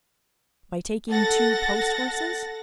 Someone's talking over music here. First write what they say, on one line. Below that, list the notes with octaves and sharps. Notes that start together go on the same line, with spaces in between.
"By taking two post-horses?"
A4 F#5 A6 A#6